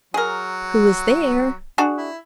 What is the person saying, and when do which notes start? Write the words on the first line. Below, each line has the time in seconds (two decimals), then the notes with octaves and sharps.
"Who is there?"
0.14 F#3 G#4 A#4
1.78 D4 F#4 G#4
1.98 E4